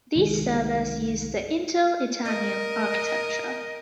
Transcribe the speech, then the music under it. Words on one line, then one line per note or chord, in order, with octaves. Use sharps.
These servers use the Intel Itanium architecture.
G1 C2 D#3 G#3
A#4 D#5